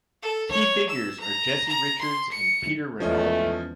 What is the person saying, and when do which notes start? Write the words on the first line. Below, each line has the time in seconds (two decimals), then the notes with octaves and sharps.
Key figures are Jesse Richards and Peter Rinaldi.
0.23 A4
0.51 C#5
0.90 E6
1.20 A#5
1.69 A#5
2.02 C6
2.32 C#7
3.00 E2 F3 G#3 A3 C#4 D#5